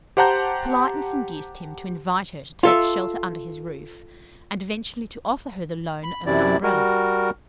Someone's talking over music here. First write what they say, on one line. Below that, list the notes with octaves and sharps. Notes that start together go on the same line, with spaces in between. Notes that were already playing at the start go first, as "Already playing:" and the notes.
Politeness induced him to invite her to take shelter under his roof, and eventually to offer her the loan of an Umbrella.
G4 C5 F#5 A5 A#5 G6
F4 A4 E5
B5
F#2 C3 E4 D5
G3 F#4 A#4